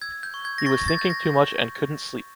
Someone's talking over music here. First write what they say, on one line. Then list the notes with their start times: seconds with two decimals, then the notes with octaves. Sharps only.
He was thinking too much and couldn’t sleep.
0.02 E6 G#6
0.23 G6
0.34 C#6
0.45 G#6
0.58 A#6
0.66 C#6 A6
0.88 A6
0.99 G6
1.10 A#6